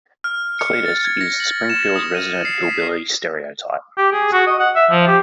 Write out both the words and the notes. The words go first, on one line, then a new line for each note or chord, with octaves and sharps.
Cletus is Springfield's resident hillbilly stereotype.
F6
C#7
A6
G#6
A#6
F#7
E7
D#6
D#7
C7
B6
G4
G#4
F#4
D#5
F#5
E5
F3
G4